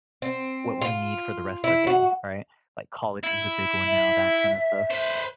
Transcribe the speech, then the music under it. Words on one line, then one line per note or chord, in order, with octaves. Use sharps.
what we need for the rest of the day, right? Like collagen is a big one now, that kind of stuff.
C4
F4
E4
F#4
E4
E5
B4 C5